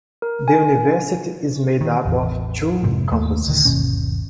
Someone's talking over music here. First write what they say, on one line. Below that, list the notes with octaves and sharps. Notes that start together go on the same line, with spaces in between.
The university is made up of two campuses.
A#4
G#5
D#3
A1 E2
F1 F2 G#2 C3
D#2 A3 A#3
D#1 D3 D#3
G1 D#2 B2 C#4